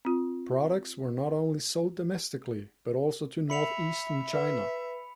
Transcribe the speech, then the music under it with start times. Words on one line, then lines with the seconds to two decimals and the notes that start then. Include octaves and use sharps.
Products were not only sold domestically, but also to northeastern China.
0.05 C4 F4
3.50 E5 B5 C#7 F7
4.33 B4 E5